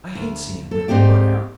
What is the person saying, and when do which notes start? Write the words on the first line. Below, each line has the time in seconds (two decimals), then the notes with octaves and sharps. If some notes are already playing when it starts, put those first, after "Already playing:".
'I hate seeing women put out.
0.15 D2
0.71 A4
0.88 G#2 C4 D#4 G4 D5